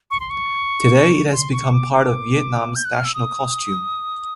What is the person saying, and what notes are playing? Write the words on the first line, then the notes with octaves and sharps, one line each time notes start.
Today, it has become part of Vietnam's national costume.
C#6
C6
C#6
C6
C#6
D6
D6
G6
F#6
F6
E6
D#6